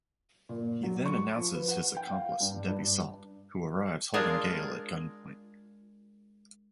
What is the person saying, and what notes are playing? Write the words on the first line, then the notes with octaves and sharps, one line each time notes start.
He then announces his accomplice, Debbie Salt, who arrives holding Gale at gunpoint.
A#2
F#3
C#6
F3
B4
F#5
G5
F5
G2
G2
G#3 D4 F4 G#4 A#4